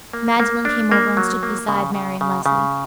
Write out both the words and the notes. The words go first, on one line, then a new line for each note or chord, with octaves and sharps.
Magdalen came over and stood beside Marian Lesley.
A#3
A#3
D4
A#3
F#3
A#3
C#3
C#3
C#3
C#3